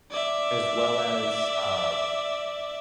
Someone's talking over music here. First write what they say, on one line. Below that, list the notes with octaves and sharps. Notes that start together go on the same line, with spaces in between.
as well as, uh,
D5 E5